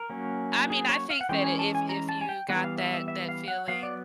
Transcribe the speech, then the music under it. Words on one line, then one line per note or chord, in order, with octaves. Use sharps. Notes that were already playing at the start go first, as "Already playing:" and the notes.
I mean, I think that if if you got that that feeling,
Already playing: A#4
F#3 A#3 C#4
G#4
C#5
F5
F#5
E3 G#3 C#4 G5
G#5
A5
G#5
A#5
A5
G#5
G5
E3 G3 B3 F#5
F5
E5
E5
E5
F5
F#5
F#3 B3 F5
D5